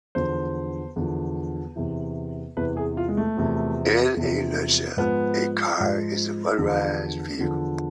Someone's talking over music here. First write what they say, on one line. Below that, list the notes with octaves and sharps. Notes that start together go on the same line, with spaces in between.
In a nutshell, a car is a motorized vehicle.
E2 D3 F3 C5
E2 D3 F3
E2 C3 E3
E2 C3 E3 B4
G#4
F4
G#3
A3
E2 C3 F3
E2 C3 F3
G#2 F3 B3
G#2 F3
E2 D3 F3
E2 D3 F3